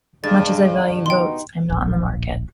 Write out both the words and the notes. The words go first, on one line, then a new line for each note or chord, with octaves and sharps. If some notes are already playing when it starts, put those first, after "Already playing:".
Much as I value votes I am not in the market.
G2 G#3 D4 A6
F2
B2 D#4 G5 C6
D1 A#1